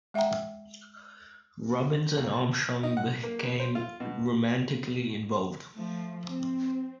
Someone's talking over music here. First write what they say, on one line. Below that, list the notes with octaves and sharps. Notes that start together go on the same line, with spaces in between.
Robbins and Armstrong became romantically involved.
G#3 E5 F#5 G5 A#5
D#2
A5
D#4
F#5
A#3
B3
C5
F4
B2
F3 A3
C4